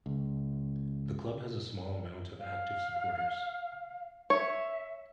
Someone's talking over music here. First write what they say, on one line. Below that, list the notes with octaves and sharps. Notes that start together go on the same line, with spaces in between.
The club has a small amount of active supporters.
C#2
F5
C#5 E5